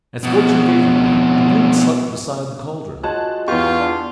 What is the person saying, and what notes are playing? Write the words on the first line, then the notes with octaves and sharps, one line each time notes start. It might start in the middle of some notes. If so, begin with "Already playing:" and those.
As fortune favoured me, the brute slept beside the caldron.
F2 B2
G#3 F4 F#4 C#5 A5 F#6
E2 B3 F4 G4 C#6
D4